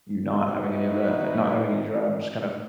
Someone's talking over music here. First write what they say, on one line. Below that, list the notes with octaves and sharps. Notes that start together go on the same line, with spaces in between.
you not having any of that not not having any drive, just kinda
B3 D#4 E4 F#4 B4 C5